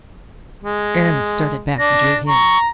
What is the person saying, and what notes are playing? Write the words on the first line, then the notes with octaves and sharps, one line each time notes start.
Aramis started back and drew his.
G#3
D4 A#6
A#5 C#6